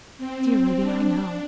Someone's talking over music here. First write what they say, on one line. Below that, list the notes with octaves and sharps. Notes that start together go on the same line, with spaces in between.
"Dear Ruby, I know."
C4
D4